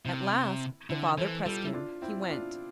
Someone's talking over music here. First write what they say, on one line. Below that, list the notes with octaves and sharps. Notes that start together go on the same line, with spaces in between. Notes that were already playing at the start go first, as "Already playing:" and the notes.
At last--the father pressed him--he went.
C3 C4 E4
D3 C4 E4
E3 A4 C5
G3 F4 A4
E4
D4 F4
C4 E4
D4 F4